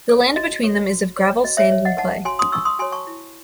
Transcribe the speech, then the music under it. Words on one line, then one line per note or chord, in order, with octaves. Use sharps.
The land between them is of gravel, sand and clay.
A4 C#5
F#4 D#5
A4 C#5
F#4
C#5
F#4 D#5
C#5 E5
C#5
D#5 F#5
D#4 F#5 A5
F#4 C#5 G#5 C6
C6 D#6
D#4 C#6 E6
C6 D#6
F#4 C#5 G#5 C6
A5 C#6
E4